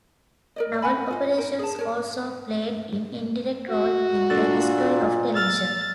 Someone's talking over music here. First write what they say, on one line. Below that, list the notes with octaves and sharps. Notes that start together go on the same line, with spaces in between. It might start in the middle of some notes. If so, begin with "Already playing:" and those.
Naval Operations also played an indirect role in the history of television.
A#4 D5 D#5
C#4 F#5 G#5 B5
F4 D#5
D#4 A#4
G#4 A5
A#4 C#5
F#4
A#2 D4 A4 A6
E6 F6 A6